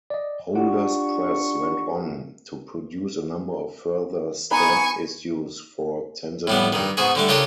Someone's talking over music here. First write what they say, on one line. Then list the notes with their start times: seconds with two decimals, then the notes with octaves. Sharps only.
Holders Press went on to produce a number of further stamp issues for Tanzania.
0.10 D5 D#5
0.55 D4 F4 G4 F#5 C#6
4.51 B3 D#4 G#5 C#6
6.47 A2 G3 B3
6.73 G2 D#3
6.97 G#2 B2 F#4 G#4
7.15 D3 G3 A3
7.28 C#3 D4 F4 G4 A4 A#4